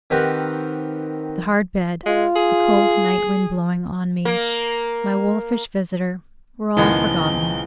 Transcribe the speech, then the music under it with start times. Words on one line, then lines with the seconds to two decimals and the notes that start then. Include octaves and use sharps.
The hard bed, the cold night wind blowing on me, my wolfish visitor, were all forgotten.
0.10 D#3 C4 G4 A#4 B4 F#5
2.06 G#3 F4
2.36 G#4
4.25 A#3
6.77 C#2 A#2 D#3 F3 G#3 B3 E4 G7